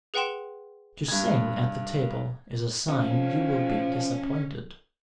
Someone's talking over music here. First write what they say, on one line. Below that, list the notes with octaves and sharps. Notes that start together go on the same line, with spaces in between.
To sing at the table is a sign you will be disappointed.
G#4 B4 F#5 G5 C6 E7
G2 G#6
F3 C#4